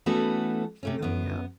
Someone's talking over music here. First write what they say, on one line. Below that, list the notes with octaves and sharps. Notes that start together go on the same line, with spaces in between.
Oh, yeah.
E3 A3 B3 C#4 F#4 A4
C3 A3 C#4
F#2 B3